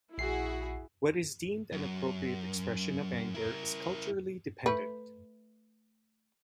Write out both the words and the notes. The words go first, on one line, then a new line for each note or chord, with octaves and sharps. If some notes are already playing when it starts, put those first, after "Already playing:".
What is deemed an appropriate expression of anger is culturally dependent.
A#1 E4 F#4 G#4 C7
F#2
E4 A#4
A3 B4